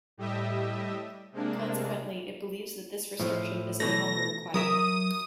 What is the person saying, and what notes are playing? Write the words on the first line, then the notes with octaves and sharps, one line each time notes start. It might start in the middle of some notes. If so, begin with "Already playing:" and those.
Consequently, it believes that this restriction is no longer required.
A2 G3 G4 D#5 E5
C3 G#3 A#3 D4
A2 F3
B2 E3 A3 A#6
F#3 A#4 E5 D#6